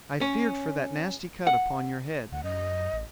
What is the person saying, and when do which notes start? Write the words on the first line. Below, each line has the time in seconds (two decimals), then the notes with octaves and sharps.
"I feared for that nasty cut upon your head."
0.21 C#4
1.47 F#5
2.32 D2 F#5
2.44 F#2 D#5
2.93 A1